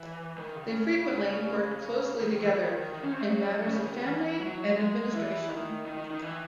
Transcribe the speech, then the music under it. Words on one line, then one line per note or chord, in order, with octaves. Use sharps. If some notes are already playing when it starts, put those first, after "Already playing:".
They frequently worked closely together in matters of family and administration.
Already playing: E3
D#3
C#3
C#3
D#3
E3
D#3
D#3
C#4
C4
A3
F#3
C#3
D#3
E3
F#3
G#3
E3
D#3
D#3
D#3
D#3
E3